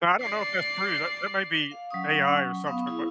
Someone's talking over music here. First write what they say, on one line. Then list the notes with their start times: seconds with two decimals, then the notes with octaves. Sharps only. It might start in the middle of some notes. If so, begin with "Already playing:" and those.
Now I don't know if that's true, that that might be AI or something, but
0.21 D5 C7
1.71 F5
1.91 F#3 C#4 C#6 D#6
2.64 B3 F5 C#6 D#6
2.87 E4 G#4